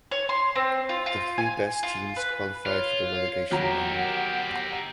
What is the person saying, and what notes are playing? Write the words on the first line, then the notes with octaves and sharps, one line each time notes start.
The three best teams qualified for the relegation round.
C#5
C6
C4
F4
F4
G#5
F4
B4
F4 C#5
F#3 G4 A#4 F#5 A#5